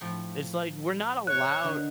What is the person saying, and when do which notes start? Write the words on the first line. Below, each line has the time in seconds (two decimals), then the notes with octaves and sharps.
It's like we're not allowed
0.01 A2 F3 G5
1.27 C#5 F#6
1.63 D3 D#3